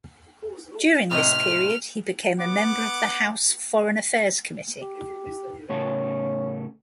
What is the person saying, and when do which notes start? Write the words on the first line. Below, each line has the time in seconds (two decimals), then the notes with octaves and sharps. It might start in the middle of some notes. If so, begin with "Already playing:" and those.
During this period, he became a member of the House Foreign Affairs Committee.
1.11 A2 C3 D#5 F6
2.39 B3 F#5 D6
4.82 G4
5.70 A2 C#3 C#4 A4